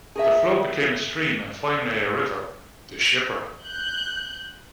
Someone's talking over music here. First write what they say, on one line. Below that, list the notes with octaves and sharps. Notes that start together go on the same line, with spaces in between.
The flow became a stream and finally a river - the Shipra.
G#4 A#4 E5
F#6 G6